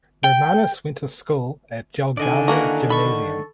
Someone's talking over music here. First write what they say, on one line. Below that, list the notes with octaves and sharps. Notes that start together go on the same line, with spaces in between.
Romanas went to school at Jelgava Gymnasium.
G5
D3 D#3 D5 D#5 G#5
E3 A#3 F#4
A4 B5 C#6